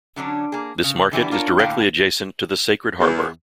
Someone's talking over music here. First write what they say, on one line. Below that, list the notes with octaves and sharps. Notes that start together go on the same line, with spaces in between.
This market is directly adjacent to the Sacred Harbour.
D3 F#3 C#4 D4
A#3 G#4
C#3
D3 E3 G3 B3
D4 F4 A#4 C#5
A2 D3 A#3 F5 G5
E2